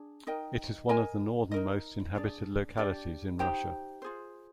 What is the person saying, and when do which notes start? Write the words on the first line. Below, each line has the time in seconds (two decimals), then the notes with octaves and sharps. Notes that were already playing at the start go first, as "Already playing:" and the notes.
It is one of the northernmost inhabited localities in Russia.
Already playing: D4 G#4
0.27 D#4 A#4 D#5 G5
0.89 A#4 D#5 G#5
1.51 D#4 A#4 D#5
2.15 D4 G#4 D5
2.77 D4 G4 D5
3.39 D#4 G4 C5 G5
4.02 F4 G#4 C5